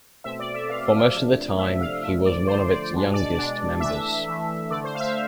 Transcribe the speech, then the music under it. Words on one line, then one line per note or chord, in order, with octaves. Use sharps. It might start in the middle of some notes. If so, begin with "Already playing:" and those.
For most of the time, he was one of its youngest members.
B2 A3 C4 E5
D5
E5
B2 A3 C4 F5
C3 F3 A3 D4
C3 F3 A3 D4 E5
F5
D3 F3 A3 E5
D5
D3 F3 A3 C5
D5
B2 G#3 D4
D5
B2 G#3 D4
E3 A3 D4 E5
E3 A3 D4
D3 A3 D4 D5
C5
F5
E5